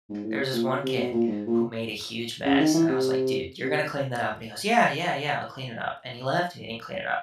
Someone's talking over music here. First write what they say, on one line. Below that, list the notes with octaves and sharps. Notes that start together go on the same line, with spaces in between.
There was this one kid who made a huge mess, and I was like, "Dude, you're gonna clean that up?" And he goes "Yeah, yeah, yeah. I'll clean it up." And he left, and he didn't clean it up.
G#2
A2
C3
A#2
B2
C3
B2
A#2
G#2
A#2
C#3
D#3
E3
C3
C3